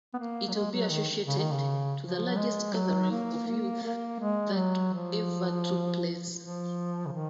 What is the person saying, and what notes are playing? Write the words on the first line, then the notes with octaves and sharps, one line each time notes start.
It will be associated to the largest gathering of youth that ever took place.
B3
A#3
F#3
G#3
F#3
D#3
C#3
D#3
C#3
F3
F#3
G#3
F#3
A#3
A#3
A#3
G#3
F#3
F3
F3
C#3
D#3